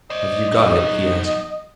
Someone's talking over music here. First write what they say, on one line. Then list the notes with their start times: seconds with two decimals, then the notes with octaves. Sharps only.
"Have you got it?" he asked.
0.10 C5 D5 D#5
0.52 F#3 D#4